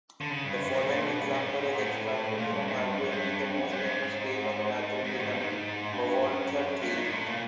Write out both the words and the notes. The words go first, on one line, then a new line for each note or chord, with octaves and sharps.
The following example is extracted from arguably the most famous tale of naturalism, "Bahnwärter Thiel".
D3
C#3
G2
F#2
G#2
B2
A#2
B2
G2
G#2
A2
A#2
G2
G#2
G2
F#2
G2
F#2
G2
G#2
G#2
A2
G#2
G2
G#2
G2
F#2
G2
G#2
A2
A#2